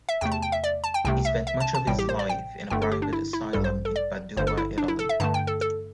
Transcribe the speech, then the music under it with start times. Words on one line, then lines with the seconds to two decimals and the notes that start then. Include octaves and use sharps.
He spent much of his life in a private asylum in Padua, Italy.
0.09 E5
0.21 E2 C3 A3 G5
0.32 A5
0.42 G5
0.52 E5
0.64 D5
0.84 A5
0.94 G5
1.05 C2 C3 A3 G5
1.25 E5
1.47 E5
1.60 A5
1.75 A5
1.87 A1 A2 G3 G5
1.99 G4
2.09 C5
2.19 D5
2.29 G5
2.70 G1 G2 D3 A3 G5
2.82 A4
2.92 G4
3.02 D4
3.13 E4
3.33 E4
3.53 A1 G2 G3 A4
3.64 C5
3.85 A4
3.96 D5
4.37 G1 G2 D3 C5
4.47 A4
4.57 E4
4.78 D4
4.88 E4
4.99 A4
5.09 E5
5.20 G2 D3 A3 A5
5.34 G5
5.47 A4
5.61 A4